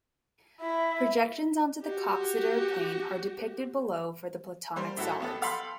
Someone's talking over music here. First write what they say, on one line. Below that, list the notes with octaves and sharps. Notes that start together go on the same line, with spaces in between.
Projections onto the Coxeter plane are depicted below for the Platonic solids.
E4 E5
F#4 G4
G3 A#3 C5
A2 E4 F#4 A4
A1 B3 A4
A4 F5 G5 B5 C6